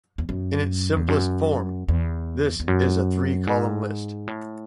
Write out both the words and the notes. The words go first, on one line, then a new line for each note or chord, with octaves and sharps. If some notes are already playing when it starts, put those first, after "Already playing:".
In its simplest form, this is a three-column list.
E2
F#2
E2
F#2
E2
E2
F#2
G#2
A2